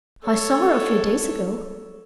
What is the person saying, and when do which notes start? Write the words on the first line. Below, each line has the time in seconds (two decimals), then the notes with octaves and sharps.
"I saw her a few days ago."
0.24 A4 C#5